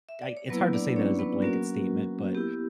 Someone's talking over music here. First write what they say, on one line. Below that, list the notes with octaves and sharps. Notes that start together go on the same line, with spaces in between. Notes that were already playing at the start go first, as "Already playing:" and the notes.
I, it's hard to say that as a blanket statement, but
E5
D5
C#5
F#3 A#3 B3 E4 B4
D4 D5
C#4 C#5
B3 B4
F#3 A#3 C#4 F#4 A#4
B3 E4 G4